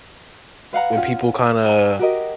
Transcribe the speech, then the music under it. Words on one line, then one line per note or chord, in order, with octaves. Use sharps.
when people kinda
B4 F5 F#5 A#5
C#4 F4 F#5
G#5 A#5
F#4 G4 A#4 D#5